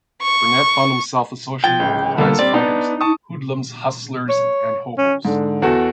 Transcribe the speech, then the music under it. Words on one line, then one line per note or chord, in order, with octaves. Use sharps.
Burnett found himself associating with prize fighters, hoodlums, hustlers and hobos.
C#6
F3 G5 G#6 A6
D1 C#2
D3 G3 A#3 F4 A4
G3 C4 D4 D5
B3 D4 D#4 A5
A5 C#6 D#6
C#5
C#4
G#2 D3
E2 F#4 A4